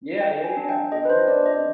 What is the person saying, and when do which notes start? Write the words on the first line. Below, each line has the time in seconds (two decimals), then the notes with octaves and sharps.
Yeah, yeah, yeah, yeah. Mhm, mhm.
0.20 G#4 G5
0.44 G#5
0.57 D4
0.69 G5
0.92 G#4 D#5
1.05 B4
1.10 C5
1.28 D4 D5
1.46 D#5